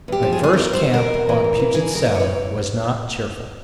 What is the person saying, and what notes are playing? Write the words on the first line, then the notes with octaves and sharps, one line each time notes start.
My first camp on Puget Sound was not cheerful.
E2 G4
F3
G#4
E2
G#4
E2 A#4
E2 C5
E2
E2 A#4
C3
E3
F2
E3
E3 G#4
C3
A#4
E3
C#5
E3